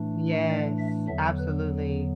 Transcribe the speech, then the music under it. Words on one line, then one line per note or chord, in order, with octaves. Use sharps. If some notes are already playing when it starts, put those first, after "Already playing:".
Yes, absolutely.
Already playing: A2 E3 A3 D4
D5
E5
E2 D3 F#3 B3 E5
B4